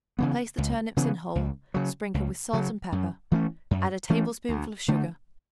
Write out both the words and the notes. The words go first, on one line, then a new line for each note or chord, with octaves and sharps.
Place the turnips in whole, sprinkle with salt and pepper; add a tablespoonful of sugar.
C#3 E3 B3
C#2
C#3 E3 B3
C#2
C#3 F#3
C#2
C#3 F#3
F#2
E3 A3 C#4
F#2
E3 A3 C#4
D2
D3 A3